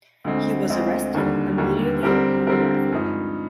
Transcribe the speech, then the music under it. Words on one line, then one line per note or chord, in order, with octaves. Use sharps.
He was arrested immediately upon arrival.
D2 D3 G#3 C4
D2 D3 G#3 C4
D#2 D3 G3
D#2 D3 G3
D3 G3 C4 G4 A#4
D3 G3 C4 G4 A#4
G2 F3 G#3 D#4